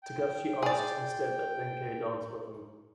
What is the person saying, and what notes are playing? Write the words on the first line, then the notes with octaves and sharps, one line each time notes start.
Togashi asks instead that Benkei dance for him.
G5
G#4 D5